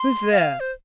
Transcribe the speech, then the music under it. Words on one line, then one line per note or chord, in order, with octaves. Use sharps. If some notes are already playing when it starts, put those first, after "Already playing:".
Who's there?
Already playing: C6
F5
C5